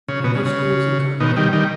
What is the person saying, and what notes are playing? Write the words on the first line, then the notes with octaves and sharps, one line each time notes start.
There are no schools in Caldervale.
C#3
B2
C#3
C#3
B2 D#3
D#3 G3
D#3 G3